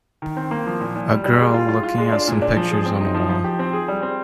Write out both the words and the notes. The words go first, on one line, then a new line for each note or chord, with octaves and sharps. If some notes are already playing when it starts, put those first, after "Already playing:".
A girl looking at some pictures on a wall.
D#3
C4
A#3
F3
A#2
A#2
G3
G3
G#3
F4
F4
F4
G#3
D4
A#2
D4
F3
G#4
C4
D#4
F3
F3
G4
C4
G#4
G3
C4